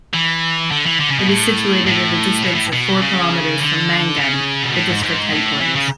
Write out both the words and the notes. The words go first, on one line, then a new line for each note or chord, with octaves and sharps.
It is situated at a distance of four kilometres from Mangan, the district headquarters.
E3
D3
E3
D3
C#3
B2
A2
A2
B2
A2
B2
C#3
D3
C#3
B2
A2
G#2
G#2
A2
E3
C#3